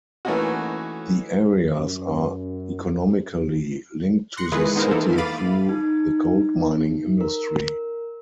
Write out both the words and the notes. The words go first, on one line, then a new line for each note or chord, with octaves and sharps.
The areas are economically linked to the city through the gold mining industry.
E3 A3 A#3 C#4 D#4 F#4
F#2
C6 F#6 A#6 C#7
D#3 G#3 E4 F4 G#4 B4
B3 D#4 G#4 A#4 C5
E3 A#3 E4 A4
F5 B5 D6 A6 D#7
D#4
A#4